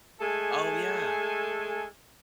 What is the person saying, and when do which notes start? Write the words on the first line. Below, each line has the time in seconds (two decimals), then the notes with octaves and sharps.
Oh, yeah.
0.20 G#3 A3 A4 G#5